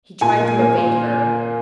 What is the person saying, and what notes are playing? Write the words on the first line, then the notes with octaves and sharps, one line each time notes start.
He tried to evade her.
A#2 G#5
A#3
A#3
A#2